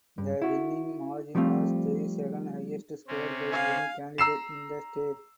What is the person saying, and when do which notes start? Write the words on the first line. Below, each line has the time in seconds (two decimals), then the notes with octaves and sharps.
The winning margin was the second highest scored by any candidate in the state.
0.18 G2
0.42 E4 F#4
1.35 F3 G3 A3 C4 F4
3.08 C3 C4 C#4
3.52 F5 G#5
4.18 A#5 E6 C7 E7